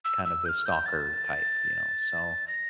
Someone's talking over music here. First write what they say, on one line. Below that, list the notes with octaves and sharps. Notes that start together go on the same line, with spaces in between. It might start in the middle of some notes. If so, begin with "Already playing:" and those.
kind of the stalker type, you know? So,
E6
E6
G6
F6
G6
A6
A#6